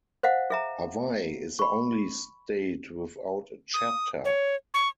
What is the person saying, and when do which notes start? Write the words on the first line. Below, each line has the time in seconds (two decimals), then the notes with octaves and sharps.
Hawaii is the only state without a chapter.
0.23 C5 D#5 F5 F#5
0.50 G#4 E5 A#5
1.59 B5 C#6
3.74 D#6
4.25 C#5
4.74 C#6